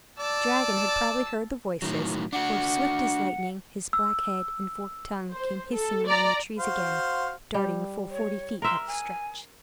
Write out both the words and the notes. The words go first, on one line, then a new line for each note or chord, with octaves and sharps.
The dragon had probably heard the voices; for swift as lightning, his black head and forked tongue came hissing among the trees again, darting full forty feet at a stretch.
D5 A5 E6
A2 D#3 F#3
D4 F#4 F#5
E6
C5
A4
D5 A#5
F#4 C5 F5
G3
C#5
A#4 E5 C6
G#5